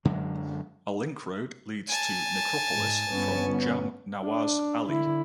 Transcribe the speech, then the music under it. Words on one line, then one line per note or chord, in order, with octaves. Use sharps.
A link road leads to necropolis from Jam Nawaz Ali.
F#2 D3 F#3 G#3
G#5 A5
G#2
G1 B3 C#4
D4
D3 E4